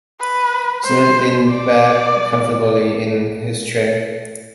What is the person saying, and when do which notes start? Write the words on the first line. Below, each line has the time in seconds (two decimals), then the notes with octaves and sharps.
Smith leaned back comfortably in his chair.
0.20 B4
0.84 C5
1.47 D5